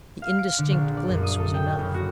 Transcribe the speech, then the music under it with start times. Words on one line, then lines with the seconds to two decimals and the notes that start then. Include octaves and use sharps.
The indistinct glimpse was enough.
0.22 F5
0.39 D7
0.59 D3
0.71 A#1
0.97 D5
1.08 F#2
1.23 D#6
1.39 A4
1.54 G5
1.66 A2
1.79 F#1
1.94 F#4